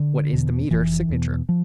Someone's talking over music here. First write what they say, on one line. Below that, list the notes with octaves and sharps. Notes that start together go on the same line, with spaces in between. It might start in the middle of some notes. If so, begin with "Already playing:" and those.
"What is the meter-signature?"
Already playing: D3
E2 B2
F1 E3
E2 B2
F3